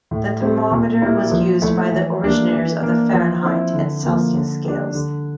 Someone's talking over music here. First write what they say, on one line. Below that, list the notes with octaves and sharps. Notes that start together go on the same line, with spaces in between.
The thermometer was used by the originators of the Fahrenheit and Celsius scales.
A2
G3 C4
A#2
G3 A#3 E4
F3
A3 E4
E3
G3 A#3 D4
E3
A#3 D4
F3
C4 E4
D3
F3 A#3
D3
G3 D4
D3